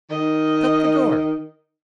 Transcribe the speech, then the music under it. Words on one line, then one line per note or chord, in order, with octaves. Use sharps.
Shut the door!
D#3 D#5